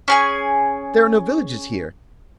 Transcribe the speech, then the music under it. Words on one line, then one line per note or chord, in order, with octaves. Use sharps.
There are no villages here?
C#4 G#4 G#5